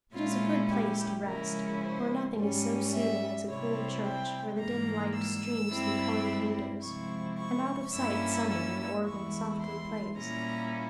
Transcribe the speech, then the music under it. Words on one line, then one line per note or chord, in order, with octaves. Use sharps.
It is a good place to rest: for nothing is so soothing as a cool church where the dim light streams through colored windows, and out of sight somewhere an organ softly plays.
A#2 G#3 C#4 E4 F4
G4
C#3 F3 G#3 C#4 E4 A#4
C5
G#2 G3 C#4
E5
C3 G3 C4 E4 C#5
G5
G#2 E3 G3 A#3 A#5
E6
G2 G3 C4 E4
C3 F3 G#3 C4 E4 C#6
C#6
G2 G3 A#3 C#4 E4 E6
E6
E2 E3 G#3 E4 C#6
C6
A#2 G3 A#3 C#4 E4 A#5